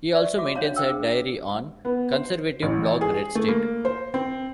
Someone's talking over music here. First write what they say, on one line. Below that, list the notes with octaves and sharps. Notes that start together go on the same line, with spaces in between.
He also maintains a diary on the conservative blog RedState.
D5 E5 C#6
F#4 E5 D6
C#4 D4 C#5 F5 A#5
C5 G5 E6
G#4
B3
C5
A1
G#4
A3
A#3
C5
C4